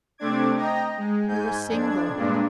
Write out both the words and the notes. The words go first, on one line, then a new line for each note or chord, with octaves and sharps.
You were single.
C3 A3 C4 D4 D6 G#6
D#5 G5 A#5
G#3
G#2 G#5 G6
F2 D4 G#6
G2 A#2 G#3 D4